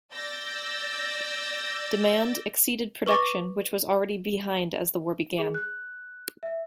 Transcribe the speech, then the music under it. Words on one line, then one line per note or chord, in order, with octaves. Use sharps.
Demand exceeded production, which was already behind as the war began.
D5 E6 G6 A6 A#6
B4 C#6 D6 A6 A#6
G#4
F#6
E5